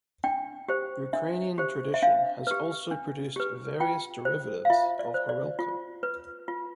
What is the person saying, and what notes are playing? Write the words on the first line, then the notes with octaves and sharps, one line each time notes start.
Ukrainian tradition has also produced various derivatives of horilka.
D4 G5
G4 C5
D4 E5
G4 C5
E5
D4 F5
G4 B4
D4
G4 B4
F4 G5
C5
F5
F4 E5
D5
C5
D5
F4
B4
F4